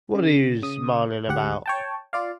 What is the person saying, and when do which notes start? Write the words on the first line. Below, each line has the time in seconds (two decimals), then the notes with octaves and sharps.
What are you smiling about?
0.15 C#3
0.62 C#3 D#6
1.28 D2 G4 F#5
1.66 C#5 G5 A5
2.13 F4 D5 F5